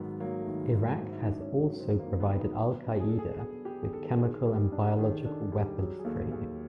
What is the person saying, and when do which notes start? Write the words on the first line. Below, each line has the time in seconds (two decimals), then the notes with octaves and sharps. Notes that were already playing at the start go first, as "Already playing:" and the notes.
Iraq has also provided Al Qaeda with chemical and biological weapons training.
Already playing: G#2 D#3 F#3 B3
0.20 F#3 A#3
0.41 A3
0.47 D#3
0.60 G#3
0.73 G#2
0.80 A3
1.00 G#2 C4
1.11 E4
1.20 D#4
1.26 G#2 D4
1.40 C#4
1.53 F#3
1.80 D#3 C4
2.00 A#3
2.06 D#3
2.20 B3
2.32 F#3
2.39 D#4
2.59 B3
2.87 D4
3.00 G#4
3.09 D4 A4
3.19 G#4
3.39 B3 G#4
3.65 B3 G4
3.83 G#4
3.93 D#3 A4
4.18 D#3 G#4
4.45 G3
4.72 D4
4.98 D#3 G#4
5.25 D4 A4
5.52 G3 G#4
5.78 F#3 G#4
5.99 G#4
6.04 D#2 A4
6.31 D#2 G#4